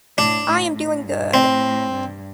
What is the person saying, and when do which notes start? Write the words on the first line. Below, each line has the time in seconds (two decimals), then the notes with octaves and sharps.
I am doing good.
0.18 A2 D4
0.46 A2
0.75 A2
1.04 G2
1.33 A2 C4
1.91 G2